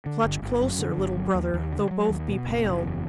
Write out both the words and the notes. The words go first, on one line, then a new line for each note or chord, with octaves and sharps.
Clutch closer, little brother, though both be pale!
D3
G1
G1
F#2
D3
G1
F#3
D#2
D#2
D3
F#3
D#2
B2
F#1
F#1
E2